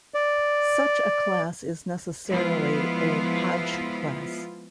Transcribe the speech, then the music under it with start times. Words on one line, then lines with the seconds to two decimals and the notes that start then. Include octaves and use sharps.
Such a class is necessarily a Hodge class.
0.14 D5
2.28 F3 G#3 B3 E4 F4